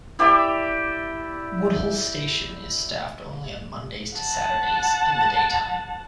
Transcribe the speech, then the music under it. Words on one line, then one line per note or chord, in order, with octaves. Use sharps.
Woodhall station is staffed only on Monday to Saturday in the daytime.
E4 G4 D5 E5
F#5 A5